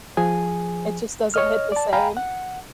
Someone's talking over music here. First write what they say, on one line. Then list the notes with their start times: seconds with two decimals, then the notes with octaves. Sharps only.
It just doesn't hit the same,
0.17 F3 G#4 G#5
1.34 C#5 D#5 F6
1.72 D5 A5
1.93 F5 G5 G#5 A#5 B5
2.17 F#5